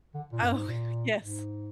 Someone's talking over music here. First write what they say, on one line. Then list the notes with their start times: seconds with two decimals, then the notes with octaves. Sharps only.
Oh, yes.
0.15 D3
0.33 A#2
0.41 F#2
0.51 G#2
0.68 A#2
1.21 G#2